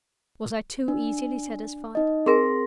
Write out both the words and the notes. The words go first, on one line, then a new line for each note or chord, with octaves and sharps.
Was I too easily satisfied?
D4
D#4 D#5
C4 G#4 A#4 G#5 C6 A#6